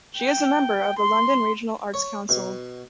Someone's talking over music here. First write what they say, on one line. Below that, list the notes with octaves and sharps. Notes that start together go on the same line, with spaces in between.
She is a member of the London Regional Arts Council.
G5
C6
C#5
B2